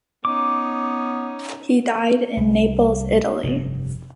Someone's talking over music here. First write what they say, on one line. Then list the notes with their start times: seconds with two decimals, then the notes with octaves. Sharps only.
He died in Naples, Italy.
0.25 B3 C#4 D#4 D6
2.37 C2
3.44 F1 G2